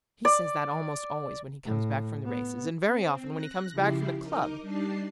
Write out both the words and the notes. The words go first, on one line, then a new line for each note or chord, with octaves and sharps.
"He says that almost always when he comes back from the races, and very often when he comes back from the club."
D5
A2
B3
C4
F#6 A#6
C#3 F3 E4 G4 C7
D#4 A#4 D#5 D6
G3 D4 D#4 A5 D6 C7